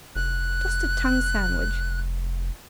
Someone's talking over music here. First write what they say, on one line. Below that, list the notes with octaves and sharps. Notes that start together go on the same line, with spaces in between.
Just a tongue sandwich.
F1 F#6